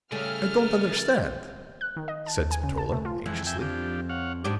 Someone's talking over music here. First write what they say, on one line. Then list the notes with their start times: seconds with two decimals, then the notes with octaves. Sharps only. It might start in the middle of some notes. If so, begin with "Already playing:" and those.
"I don't understand," said Spatola, anxiously.
0.12 C#3 G3 A3 D5 G#5 F6
1.81 F#6
1.96 D#3
2.08 D#5
2.26 A5
2.38 D#2
2.51 G#5
2.63 C#3
2.78 A5
2.92 A3
3.05 F4
3.26 F2 E3 G#3
3.47 E5 G5 G#5
3.61 F3 D4 G4
4.09 C#5 F5 F#5
4.44 G#2 D4 D#4 G4